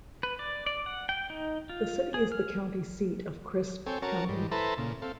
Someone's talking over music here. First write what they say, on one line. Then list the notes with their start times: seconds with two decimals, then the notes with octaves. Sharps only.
The city is the county seat of Crisp County.
0.23 B4
0.39 D5
0.66 D5
0.86 F#5
1.09 G5
1.30 D#4
1.69 F4
2.14 G#4
2.32 F6
3.86 C4 A4 C#5 G5 G#5
4.02 C#4 F#4 A#4 C#5 A5
4.29 G#2 G3
4.52 E4 A4 B4 C5 A5 A#5
4.78 A#2 C#3
5.02 C4 A4 F5